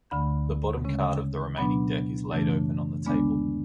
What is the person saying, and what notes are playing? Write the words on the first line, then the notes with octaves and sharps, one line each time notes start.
The bottom card of the remaining deck is laid open on the table.
D2 D3 A3 B5
C#3 G#3 C#4
B2 F#3 B3 D4 B5
F#2 C#3 E3 A3 D4
D2 D3 G#3 B3 D4